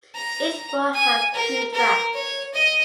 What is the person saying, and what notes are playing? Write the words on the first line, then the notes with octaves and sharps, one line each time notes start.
Each bore has two tracks.
A#5
G#5
A#4
A#4
C#5
D#5